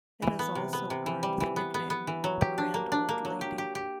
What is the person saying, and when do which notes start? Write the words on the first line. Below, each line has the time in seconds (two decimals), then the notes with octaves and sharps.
It has also earned the nickname, "The Grand Old Lady".
0.22 E3
0.39 B3
0.55 C3
0.73 B3
0.90 C3
1.06 E3
1.23 G3
1.40 E3
1.56 B3
1.74 B3
1.90 B3
2.07 E3
2.24 F#3
2.41 G4
2.58 D4
2.74 A#3
2.92 D4
3.09 A#3
3.25 F#3
3.41 G4
3.58 G4
3.75 G4